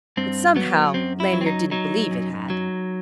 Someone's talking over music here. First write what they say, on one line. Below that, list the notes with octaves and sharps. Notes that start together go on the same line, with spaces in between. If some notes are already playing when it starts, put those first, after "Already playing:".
But somehow Lanyard didn't believe it had.
G2 C4
F#3 B3
F#2 C4
E4
F#3
C4
D#4
F#3 D#4
F#2
F#3